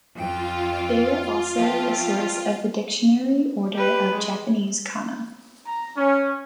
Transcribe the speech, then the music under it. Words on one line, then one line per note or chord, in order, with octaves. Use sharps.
They were also the source of the dictionary order of Japanese "kana".
F2 F4 G5
F3 A3 C4
G4 B4
G#3
A#5
C#4